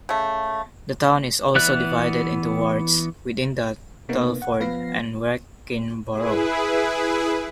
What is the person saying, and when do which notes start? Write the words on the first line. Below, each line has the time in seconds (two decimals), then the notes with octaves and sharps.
The town is also divided into Wards, within the Telford and Wrekin borough.
0.09 C#3 A3
1.55 E3 B3 D5 E5 F#6
4.09 C3 A#3 B3 D#4
4.42 F#5
4.60 F3 B3 B4 F5 A#6 C7
6.11 E4 G#4 B4